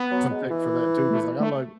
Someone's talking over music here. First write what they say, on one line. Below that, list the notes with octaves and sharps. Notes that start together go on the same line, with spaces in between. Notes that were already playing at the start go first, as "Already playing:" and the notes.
some tech for that too, 'cause, like, I like
Already playing: B3
F#3
G#3
E3
A3
A3